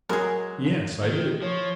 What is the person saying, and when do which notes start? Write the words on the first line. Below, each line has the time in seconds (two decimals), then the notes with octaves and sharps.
"Yes, I did."
0.09 F#3 G#3 G#4 A#4 D#5
1.03 D#3
1.42 F3 C#5